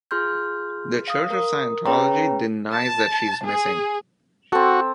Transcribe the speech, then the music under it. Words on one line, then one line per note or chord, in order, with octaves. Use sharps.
The Church of Scientology denies that she is missing.
F4 G#4 C6 F6 G6
F5 D#6
A#4 D#6
C#4 G#4 B4 C#5 G5 A#5
A5
G#4
C4 F#4 A4